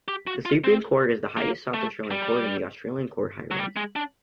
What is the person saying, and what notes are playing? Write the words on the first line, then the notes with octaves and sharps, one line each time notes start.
The Supreme Court is the highest South Australian court in the Australian court hierarchy.
G4
F#4
F4
C4
A#3
A3
G3
F#3
G3
G#3
D4